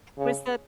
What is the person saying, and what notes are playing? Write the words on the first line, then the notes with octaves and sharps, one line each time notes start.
Was that
C#3